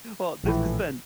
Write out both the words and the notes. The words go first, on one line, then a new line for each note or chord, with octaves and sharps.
Well, this has been
A#1 A2 E3